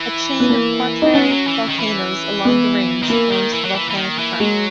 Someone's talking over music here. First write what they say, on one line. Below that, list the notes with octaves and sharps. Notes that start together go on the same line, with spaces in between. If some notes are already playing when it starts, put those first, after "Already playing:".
A chain of Quaternary volcanoes along the range forms the volcanic front.
Already playing: E3
B3
A#3
D#4
F#3 C#4
G#3
F#3
E3
D#3
E3
B3
D#3
E3 A#3
D#3
E3
F#3
E3
E3
D#3
E3
F#3 G#3